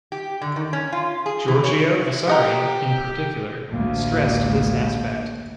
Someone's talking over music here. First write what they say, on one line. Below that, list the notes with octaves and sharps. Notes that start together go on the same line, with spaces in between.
Giorgio Vasari, in particular, stressed this aspect.
G4
D3
D#3
C#4
F4
G#4
E3
C#5
E4
G4 A#4 D#5 F#5
A1 D2 A#3